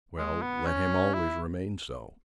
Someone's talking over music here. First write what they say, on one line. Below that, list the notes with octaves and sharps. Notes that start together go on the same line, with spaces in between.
"Well, let him always remain so."
G#3
B3
C#4
E4